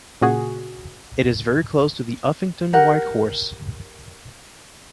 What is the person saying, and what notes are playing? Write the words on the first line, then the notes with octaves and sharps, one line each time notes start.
It is very close to the Uffington White Horse.
A#2 C#3 F#4 G#4
G4 A#4 F#5